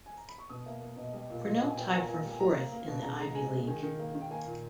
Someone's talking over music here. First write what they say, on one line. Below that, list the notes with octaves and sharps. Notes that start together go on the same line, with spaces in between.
Cornell tied for fourth in the Ivy League.
G#5
A#5
B5
C#6
B2 D#6
A#3 E5
A#3
B2 D#5
G3 D#5
A#2
A#2 D#5
A#2
G#5
B3 G5
A#2 G#5
A#5
A#2 G#5
G3 G#5
A#3 A#5
A#3
A#3
B2
C#3 A#5
G#3 A#5
G#3 G#5
C#3
D#3 G#5
D#3
A#3
D#3
G5
A#3 G#5
A#2